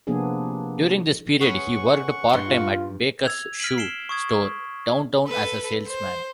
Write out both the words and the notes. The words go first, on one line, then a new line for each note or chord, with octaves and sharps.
During this period he worked part-time at Baker's Shoe Store downtown, as a salesman.
C3 F3 A#3 B3 D4 G#4
C#4 G#4 B4 F#5 C#6
G2 C6
F4
E6 G#6 F7
F6 B6 D7 F#7
C7 D7 E7 G7
C#6 D#6 G#6
A4 B4
C5